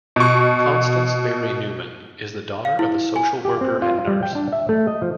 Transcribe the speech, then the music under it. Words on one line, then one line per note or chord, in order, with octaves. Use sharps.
Constance Berry Newman is the daughter of a social worker and nurse.
B2 C#6
F5
E4
G#5
G4
C4
F4
G3
G5
D4
E5
A3
D#5
F3